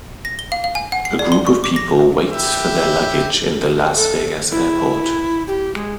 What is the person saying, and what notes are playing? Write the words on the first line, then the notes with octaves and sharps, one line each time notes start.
A group of people waits for their luggage in the Las Vegas airport.
A#6
G7
F5
F5
G#5
F#5
C7
D5
C6
C#6
D6
A#6
E4 G4 E5
A4
E4
G4
G#3